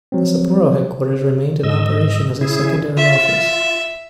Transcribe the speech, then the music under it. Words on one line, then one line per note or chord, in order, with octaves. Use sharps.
The Sapporo headquarters remained in operation as a secondary office.
F3 F#3 G#3 C4
G#2 D#5 E6
C#3 E4 G#4
F4 E5